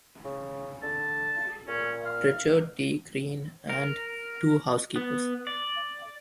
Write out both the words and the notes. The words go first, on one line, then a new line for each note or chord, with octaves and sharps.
Richard T. Crean, and two housekeepers.
C#3
D3 A5
A#2 C#4
F5
A#4
B3
D5